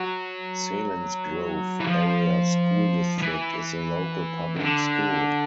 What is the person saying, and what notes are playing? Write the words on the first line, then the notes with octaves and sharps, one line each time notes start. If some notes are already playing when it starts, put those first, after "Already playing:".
Selinsgrove Area School District is the local public school.
Already playing: F#3
E3
F3
F3
E3
D3